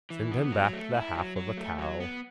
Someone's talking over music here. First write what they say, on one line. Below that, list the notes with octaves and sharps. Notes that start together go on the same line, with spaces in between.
Send him back the half of a cow.
E3
B3
F#3
A3
E4
F#3
F#3
A3
F#3
B3